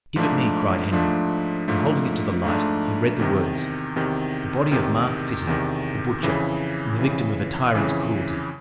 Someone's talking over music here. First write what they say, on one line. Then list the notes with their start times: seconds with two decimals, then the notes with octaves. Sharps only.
"Give it me!" cried Henry; and holding it to the light, he read the words, "The body of Mark Fytton, the butcher, the victim of a tyrant's cruelty."
0.16 G#2 F3 A3 D4
0.92 G#2 F3 A3 D4
1.68 G#2 F3 A3 D4
2.44 G#2 F3 A3 D4
3.19 E2 C3 D#3
3.96 E2 C3 D#3
4.71 E2 C3 D#3
5.47 E2 C3 D#3
6.23 F2 C#3 E3
6.99 F2 C#3 E3
7.75 F2 C#3 E3